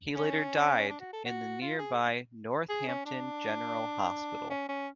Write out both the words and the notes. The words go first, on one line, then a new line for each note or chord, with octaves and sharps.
He later died in the nearby Northampton General Hospital.
C#4
D4
F#4
A4
F#4
F4
G#4
G#4
C#4
D4
C#4
C#4